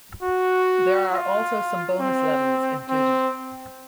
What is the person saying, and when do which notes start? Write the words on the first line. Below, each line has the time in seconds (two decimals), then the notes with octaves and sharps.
There are also some bonus levels included.
0.22 F#4
1.11 F4
2.00 C4
2.89 C4